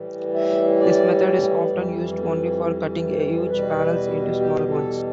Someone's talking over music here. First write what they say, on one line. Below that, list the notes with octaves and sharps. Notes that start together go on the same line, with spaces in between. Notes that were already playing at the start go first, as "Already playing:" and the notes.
This method is often used only for cutting huge panels into smaller ones.
Already playing: A2 E3 G3
E5
D5
F2 E3 G3
E2 B2 G3 B4
G4
A4